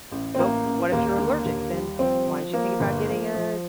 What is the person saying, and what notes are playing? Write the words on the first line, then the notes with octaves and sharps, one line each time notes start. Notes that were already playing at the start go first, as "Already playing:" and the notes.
but what if you're allergic, then why don't you think about getting a
A1
C4
A1 A#3
A1
D#2 A#3
D3
D#2
G3
F3 C4
F3
F3 A#3
G1
F3
F3